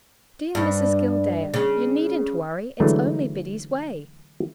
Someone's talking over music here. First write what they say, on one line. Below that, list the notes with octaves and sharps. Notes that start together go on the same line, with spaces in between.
'Dear Mrs Gildea, you needn't worry, it's only Biddy's way.
G2
C#3
D3 E3 F#3 G#3 A3 D#4